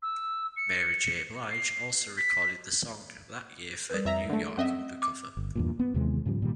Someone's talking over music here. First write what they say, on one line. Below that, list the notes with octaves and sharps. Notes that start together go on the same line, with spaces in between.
Mary J. Blige also recorded the song that year for "New York Undercover".
E6
C#7
C7
B6
G3 A#4 B4
F2 E5 A#5
D3 A3
F#2 C4 D#5 E5
D6
G1
E2 G2 A#2
B3
D#2 C3 E3 G#3
G#2 C#3 F3 G3
A#2 D#3 G3